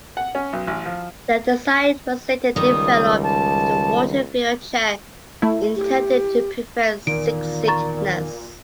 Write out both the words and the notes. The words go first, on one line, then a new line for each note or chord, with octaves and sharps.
The design was later developed into a water-filled chair intended to prevent seasickness.
F#5
C#4
B1
A1
F3
C#2 D#3 G3 D#6
A5
A3 E4
G4
E2 A#2 D#3 D7
A#5 C#6 A6